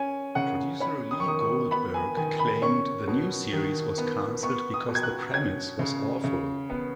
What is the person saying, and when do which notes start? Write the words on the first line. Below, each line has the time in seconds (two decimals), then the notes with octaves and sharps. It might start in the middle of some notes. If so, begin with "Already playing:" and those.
Producer Lee Goldberg claimed the new series was canceled because the premise was awful.
Already playing: C#4 G#5
0.35 C#3 F#5
0.80 C#4 B5
1.11 D#6
1.20 C#6
1.26 D#3 D#6
1.41 C#6
1.71 B3 B5
1.94 G#5
2.17 D#3 G#5
2.39 B5
2.62 C#4 C#6
3.08 B2
3.53 D#3
3.98 B3
4.43 B3 C#6
4.74 D#6
4.89 B2
4.95 G#6
5.03 F#6
5.34 C#4 G#6
5.79 C#3
6.24 C#3
6.70 B3